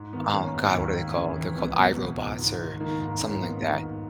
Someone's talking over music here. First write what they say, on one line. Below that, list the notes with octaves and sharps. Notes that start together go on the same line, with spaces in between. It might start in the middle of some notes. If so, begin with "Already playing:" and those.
oh, god. What are they called? They're called iRobots or something like that.
Already playing: G#2
D#3 B3
D#3 A#3 C#4
G#2 B3
B3
D#2 A#3
D#2
C#3
E3
C#2 B3
B2 B3
B2
C#2
G#2
D#3
D#3 A#3
G#2 A#3
G#2 A#3 C#4
A#3
D#3 B3
B3
D#3 A#3
G#2